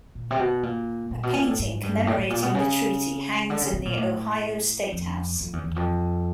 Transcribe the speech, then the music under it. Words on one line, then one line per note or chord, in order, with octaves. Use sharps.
A painting commemorating the treaty hangs in the Ohio Statehouse.
A#2
C3
B2
A#2
A#2
B2
A#2
A2
G#2
G2
A2
A2
A#2
B2
C#3
D3
C#3
C3
A#2
A2
F2
F2
E2
E2
F2